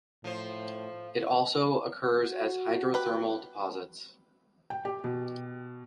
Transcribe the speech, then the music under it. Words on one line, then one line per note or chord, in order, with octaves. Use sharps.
It also occurs as hydrothermal deposits.
A2 F3 C5
F#4
G4 B4
G5
G4
B2